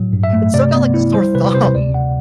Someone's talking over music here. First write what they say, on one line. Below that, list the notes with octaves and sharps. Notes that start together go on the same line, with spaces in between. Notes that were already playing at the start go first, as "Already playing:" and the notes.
It stuck out like a sore thumb.
Already playing: A2 F#3
G2
E5
A3
C3 D5
B3
E4
G3 C5
C3 B4
C3 C5
D2 D5
D2 F#5